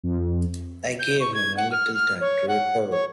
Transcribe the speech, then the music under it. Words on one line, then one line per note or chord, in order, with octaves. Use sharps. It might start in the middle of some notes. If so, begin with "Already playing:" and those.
I gave him a little time to recover.
F2
G6
C#6
G#6
F#5
F6
F6
C#5
F#5
C#5